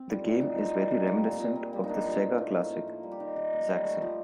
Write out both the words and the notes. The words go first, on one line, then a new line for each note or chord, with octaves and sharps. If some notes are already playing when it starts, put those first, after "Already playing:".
The game is very reminiscent of the Sega classic Zaxxon.
Already playing: C4
G3 F4
A2 F4
A2 D#4
C4
G3
A#3
G3
A#2
A#2
A#3
G3
D#4
A#3 D4
F3
A2
A2 D#4
A#3
F4
F3
A#3
G3
G4
D#3
D#3
A#3
G3
A3
F3